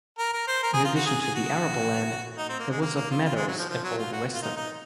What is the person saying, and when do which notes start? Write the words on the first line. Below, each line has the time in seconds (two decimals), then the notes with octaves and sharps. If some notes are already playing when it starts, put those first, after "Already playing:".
In addition to the arable land, there was of meadows at Old Weston.
0.19 A#4
0.33 A#4
0.48 C5
0.63 A#4
0.74 G#4
0.84 F4
0.95 F#4
1.06 G#4
1.21 G#4
1.35 F#4
2.38 D#4
2.49 C4
2.59 A#3
2.70 G#3
2.82 A#3
2.96 A#3
3.11 F4
3.25 F4
3.36 G#3
3.48 F#3
3.58 F3
3.70 F3
3.84 F#3
3.98 F4
4.13 F#4
4.35 F4
4.43 D#4
4.57 D#4